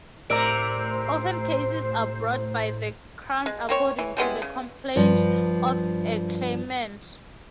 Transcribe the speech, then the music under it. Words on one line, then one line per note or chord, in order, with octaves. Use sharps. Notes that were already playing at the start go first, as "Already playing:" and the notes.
Often cases are brought by the Crown according to the complaint of a claimant.
A2 C3 A#4 C5 D5 A#5 E6 D7
G#3
A#3 C4 C#5
E3
G3 G#3 B3 E4
C#3
G2 F3